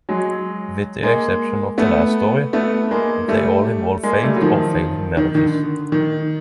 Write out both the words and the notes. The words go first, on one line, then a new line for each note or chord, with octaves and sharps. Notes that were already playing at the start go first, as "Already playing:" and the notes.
With the exception of the last story, they all involve failed or failing marriages.
F#3 G#3
G#3 A#3
A3 B3
A3 B3
G#3 A#3
G3 A3
G#3 A#3
G3 A3
F#3
D#3 F3
D#3
D#3
D3
D#3